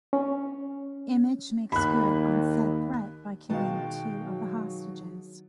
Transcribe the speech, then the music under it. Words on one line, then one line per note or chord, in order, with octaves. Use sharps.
Image makes good on said threat by killing two of the hostages.
C#4
D#2 B5 F#6
B2 D#3 G#3 F#4 F5 G5 A5
F#3